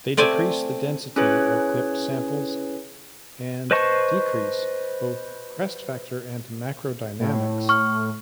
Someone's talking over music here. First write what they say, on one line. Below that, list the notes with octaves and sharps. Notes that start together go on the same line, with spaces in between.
They decrease the density of clipped samples, and decrease both crest factor and macro-dynamics.
A3 C4 D5 G5 G#5
C#4 E4 G#4 B4 C#5
B4 C5 D#5 A5 C#6
A2
C#6 F6